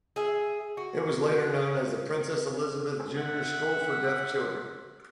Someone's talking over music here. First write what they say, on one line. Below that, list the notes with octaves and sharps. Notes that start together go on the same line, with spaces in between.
It was later known as the Princess Elizabeth Junior School for Deaf Children.
G#4 E5
F#4
E5 F#5